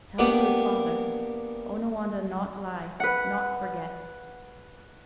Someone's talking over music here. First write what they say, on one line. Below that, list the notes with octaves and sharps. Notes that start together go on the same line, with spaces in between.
Tell the good father, Onawandah not lie, not forget.
A#3 B3 D4 G4
B4 F#5